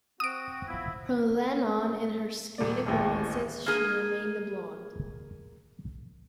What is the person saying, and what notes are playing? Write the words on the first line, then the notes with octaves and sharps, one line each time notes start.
From then on in her screen appearances, she remained a blonde.
C4 F#4 D#6 D7
F3 B3 E4
D#1 D5
D1 A1 D#2
A#3 G#4